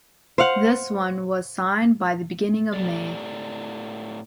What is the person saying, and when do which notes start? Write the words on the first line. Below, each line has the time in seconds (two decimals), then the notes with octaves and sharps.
This one was signed by the beginning of May.
0.38 C5 F5 F#5
2.74 A2 G4 A4 D5